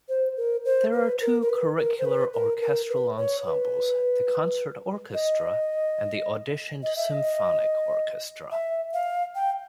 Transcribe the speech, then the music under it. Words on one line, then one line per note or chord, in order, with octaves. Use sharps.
There are two curricular orchestral ensembles, the Concert Orchestra and the auditioned Symphonic Orchestra.
C5
A#4
C5
B4
A#4
A#4
B4
A#4
C5
B4
A#4
A#4
B4
C#5
B4
D#5
D#5
E5
D#5
E5
F5
G5